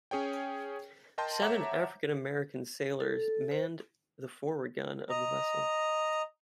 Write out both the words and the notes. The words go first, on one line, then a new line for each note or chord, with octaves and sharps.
Seven African-American sailors manned the forward gun of the vessel.
C#4 G#4 C#5 G5
A#4 D#5 G5 A5 C6 G6
C#5 E5 F#5 A5 A#5 D6
A4
C5
D#5 A#5